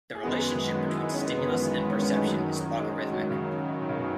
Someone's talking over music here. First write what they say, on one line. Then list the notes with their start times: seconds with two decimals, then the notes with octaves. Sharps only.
The relationship between stimulus and perception is logarithmic.
0.15 G#4
0.23 F#2 D#3 G#3 B3 F#4
0.75 F#4
0.88 E4
1.00 D#4
1.14 C#4
1.26 B3
1.39 G#3
1.51 E3
1.64 C#3
1.77 D#3
1.90 C#4
2.02 C#4
2.15 A3
2.28 F#2 D#3 F#3
2.79 G#3
2.95 G#3
3.14 F#3
3.30 C#3
3.81 D#3
3.89 C#3
3.97 B2